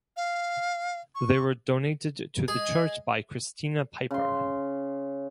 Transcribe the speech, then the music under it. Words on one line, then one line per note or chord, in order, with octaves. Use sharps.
They were donated to the church by Christina Piper.
F5
C#6
G#3 G#4
C#3 C6